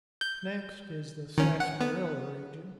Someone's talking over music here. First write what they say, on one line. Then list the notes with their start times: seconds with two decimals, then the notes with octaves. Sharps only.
Next is the sassparilla region.
0.21 G6
1.38 D#3 C#4
1.60 F#5
1.81 B3